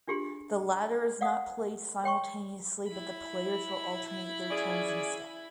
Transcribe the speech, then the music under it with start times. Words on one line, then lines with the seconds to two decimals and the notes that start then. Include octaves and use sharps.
The latter is not played simultaneously but the players will alternate their turns instead.
0.07 D4 F4 G4 G#4 C6
1.21 D5 F5 F#5 D#6
2.04 C#5 G5 C6 C#6
2.88 E4 B5
4.50 C#4 G#4 D5